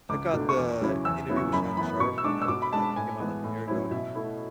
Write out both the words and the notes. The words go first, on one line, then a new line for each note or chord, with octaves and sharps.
check out the interview with Shannon Sharpe, you know, that came out, like, a year ago, and
C#2 D6
B2 A3 D4
C#6
E2 D6
C#3 F#3 C#4 E4
E2 E6
C#3 F#3 B3 E4
C#6
F#2 B5
E3 B3 B5
B2 C#6
E6
G#3 D4 D6
E6
B2 D6
B5
G#3 D4 A5
A2 G#5
E3 G#3 B3
A2
F#3 C#4 E4
B2 E5
A3 E4